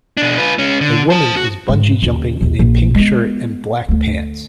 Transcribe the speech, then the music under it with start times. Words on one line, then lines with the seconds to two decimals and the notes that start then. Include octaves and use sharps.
A woman is bungee jumping in a pink shirt and black pants.
0.17 B2 D4
0.38 F4 B4
0.58 G#3 C#4
0.81 D3
1.10 C5 A5
1.37 F#4
1.68 G#2 E3
2.02 D#2 C#3
2.41 A#1 D#2
2.59 A#1 A#2
2.94 G#3 B3
3.88 D2 A3